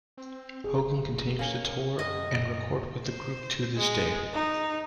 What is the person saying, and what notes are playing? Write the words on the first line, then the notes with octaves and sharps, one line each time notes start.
Hogan continues to tour and record with the group to this day.
C4
F1 G#4
A#3 C#4
F#2 A2 D#5
C5
G#3
D#4